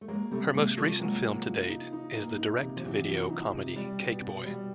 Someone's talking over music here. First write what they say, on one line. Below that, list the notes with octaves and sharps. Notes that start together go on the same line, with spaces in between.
Her most recent film to date is the direct-to-video comedy "Cake Boy".
A3
F#3 G#3 A#3
C3 G3 A3
C3 G#3 A#3
F3 G3 A3
F#3 G#3 A#3
A#3
F3
D#4
D#4
A#3
D#4
C3
F3
C3 E3 F#3
F3
D#4
C3
G3
B2
B2
G3